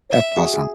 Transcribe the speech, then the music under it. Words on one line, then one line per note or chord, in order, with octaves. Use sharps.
That's awesome.
E5
F#4 G#4
G#4